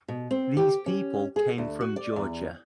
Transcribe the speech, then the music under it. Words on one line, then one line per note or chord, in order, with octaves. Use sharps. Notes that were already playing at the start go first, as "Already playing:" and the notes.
These people came from Georgia.
B2
C4
G4
C#4
G#4
D2
F#4
D5
E2